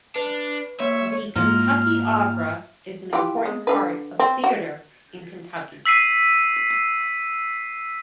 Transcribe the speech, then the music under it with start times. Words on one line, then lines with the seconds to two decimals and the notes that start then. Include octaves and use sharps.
The Kentucky Opera is an important part of theater in Kentucky.
0.16 D4 B4
0.80 A#3 C#5 E5
1.36 G#2 A#3 F4 F6
3.13 E3 F4 G4
3.45 G#3
3.67 D3 F#3 B4
4.20 C4
4.44 F#4
5.86 E6 B6 C7 D#7